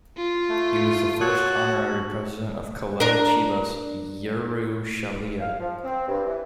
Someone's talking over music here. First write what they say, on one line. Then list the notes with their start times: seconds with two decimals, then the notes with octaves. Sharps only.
He was the first Honorary President of Kolel Chibas Yerushalayim.
0.17 F4
0.49 A3
1.21 F#4 C#5 A5
3.00 D4 A#4
5.40 F5
5.60 F3
5.84 C4
6.08 G2
6.26 E3